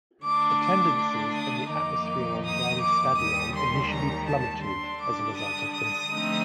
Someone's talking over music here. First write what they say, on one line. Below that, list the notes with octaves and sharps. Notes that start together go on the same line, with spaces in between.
Attendances and the atmosphere on Brann Stadion initially plummeted as a result of this.
D3 A3 D4 D6
D6
D6
D#6
F2 D#3 A#3 D#4 D6
D#6
D6
D#2 D#3 G3 D#6
C6
A#5
A5
D3 G3 D4 C6
D6
D#6
D#6
D3 F3 A3 C4 D#4